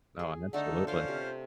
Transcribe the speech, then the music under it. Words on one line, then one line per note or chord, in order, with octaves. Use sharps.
No, and absolutely.
G#4
D3 A3 D4 D#4 A4
C#4 F4 A4 C5 F5 G5
C3